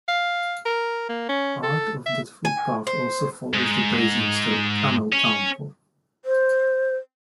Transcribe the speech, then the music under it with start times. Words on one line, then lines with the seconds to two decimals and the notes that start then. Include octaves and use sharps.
Part of the footpath also follows the Basingstoke Canal towpath.
0.08 F5
0.66 A#4
1.09 A#3
1.29 C#4
1.63 A4
2.06 E5
2.45 G#5
2.87 C5
3.54 G#2
5.13 C#4
6.25 C5